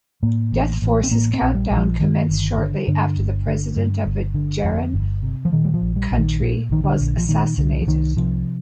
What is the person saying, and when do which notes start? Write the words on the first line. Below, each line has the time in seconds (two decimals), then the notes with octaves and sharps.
Death Force's countdown commenced shortly after the president of a Jerran country was assassinated.
0.23 A2 A#3
0.52 A1
0.82 A1
1.04 C4
1.11 A2 A#3
1.34 C4
1.41 A#1
1.55 G3
1.70 A#1
1.77 F3
2.00 G2 D#3
2.29 G1
2.58 D3
2.88 G2 D3
3.17 G1
3.47 D3
3.76 G2
4.06 G1
4.34 D3
4.63 F2
4.94 G1
5.23 C3
5.45 F3
5.52 A#2 D#3
5.65 G3
5.74 F3
5.81 A#1
5.96 G3
6.11 A#1
6.18 D#3
6.41 A#2
6.69 A#1 D#3
6.84 D3
7.00 A#1
7.18 F3
7.28 A#2 D#3
7.57 C2 D3
7.81 F3
7.87 C2 D#3
8.17 C3 F3